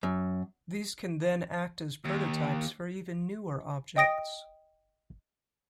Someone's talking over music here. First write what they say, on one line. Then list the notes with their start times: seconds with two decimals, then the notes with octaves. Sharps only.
These can then act as prototypes for even newer objects.
0.03 F#2
2.05 D#2
3.96 D#5 G5 D#6 A#6 D7